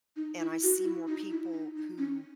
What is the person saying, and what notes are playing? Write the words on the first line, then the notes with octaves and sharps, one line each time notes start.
and I see more people who
D#4
E4
F#4
E4
D#4
E4
D#4
D#4
C#4